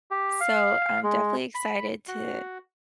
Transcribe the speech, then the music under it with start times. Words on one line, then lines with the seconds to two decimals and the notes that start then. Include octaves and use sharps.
So I'm definitely excited to
0.11 G4
0.40 F5
1.03 G#3
1.55 B5
2.08 F#4